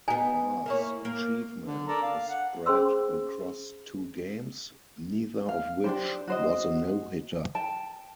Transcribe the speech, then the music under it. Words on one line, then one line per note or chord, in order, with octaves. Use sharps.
Barr's achievement was spread across two games, neither of which was a no-hitter.
B3 D#4 G#5
A#3 E4 C#5
A#3
D3
A4 A#4 D5
F5
F#5
C#4 G#4 C5 C6 E6
F5
D4 G4 C5
F#4 C5 D#5
G5 A5